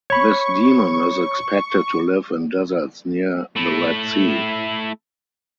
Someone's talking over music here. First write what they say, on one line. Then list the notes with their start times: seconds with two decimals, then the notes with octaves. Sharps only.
This demon is expected to live in deserts near the Red Sea.
0.10 C#5 B5 C#6
3.56 A3 E4